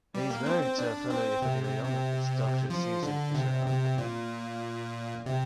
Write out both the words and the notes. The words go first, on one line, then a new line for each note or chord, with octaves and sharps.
He is married to a fellow epidemiologist Doctor Susan Fisher-Hoch.
G3
A#3
C4
C4
D4
C4
C3
C3
C3
F3
D3
C3
C3
A#2
C3